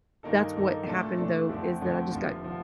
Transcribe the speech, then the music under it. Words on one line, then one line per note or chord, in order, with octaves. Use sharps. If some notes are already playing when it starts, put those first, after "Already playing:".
that's what happened though, is that I just got
G2 D#3 A#3 D#4 A4
G2 D#3 A#3 D#4 A4
A#2 A3 D4 A4
A#2 A3 D4 A4
F2 D3 A3 C4
F2 D3 A3 C4
F1 D#2 D3 F3
D3 F3